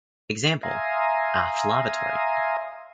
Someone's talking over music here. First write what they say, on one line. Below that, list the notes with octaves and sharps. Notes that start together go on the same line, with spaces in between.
Example: Aft lavatory.
E5 F5 G#5 A#5 C6 D#6